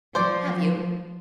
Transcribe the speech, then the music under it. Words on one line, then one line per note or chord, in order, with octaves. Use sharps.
"Have you?"
F3 C5 D5